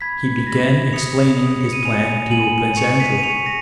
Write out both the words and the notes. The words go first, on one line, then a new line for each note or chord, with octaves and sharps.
He began explaining his plan to Prince Andrew.
B5 G#6 B6
B5 A#6
D#6 C#7 F7
D#6
C#7
D#7
G#5 C#7 F7
G#5 D#7 F#7
C#6 C#7 F7
B6 D#7
D#7
C#6 C#7 F7
A#6 C#7